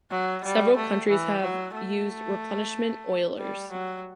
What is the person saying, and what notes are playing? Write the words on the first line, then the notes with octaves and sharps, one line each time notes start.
Several countries have used replenishment oilers.
F#3
G3
A3
E3
F#3
A3
G3
F#3